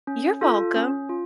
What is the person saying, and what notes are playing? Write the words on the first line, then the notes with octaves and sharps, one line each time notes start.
You're welcome.
C#4
F4 A4
C#4
F4